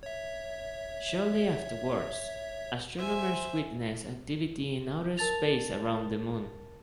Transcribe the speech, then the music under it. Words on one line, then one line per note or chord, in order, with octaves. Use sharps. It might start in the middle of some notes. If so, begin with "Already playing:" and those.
Shortly afterwards, astronomers witness activity in outer space around the moon.
C#5 E5
C5 E5 G#5
A#4 A5 A6 F7